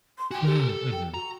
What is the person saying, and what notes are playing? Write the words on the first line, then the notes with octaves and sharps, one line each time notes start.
Mm, mhm.
C6
F#4 G5 G#5
G4 A4 A#4
A4
G5
F#4 A#5